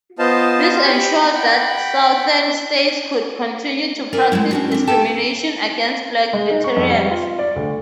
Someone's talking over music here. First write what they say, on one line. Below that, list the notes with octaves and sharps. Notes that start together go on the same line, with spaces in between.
This ensured that southern states could continue to practice discrimination against black veterans.
B3 F4 C5 D#5 F5 A5
G4 B5
F#5 G5 B5
A#4 D5 E5 F5 G#5
G#3 A3 C#4 E4
C#4 D4 F#4
C4 D4
D#4 G4 A4 G5 A5
G#3
D#4
C#6
F2
G3
F4
D5
D2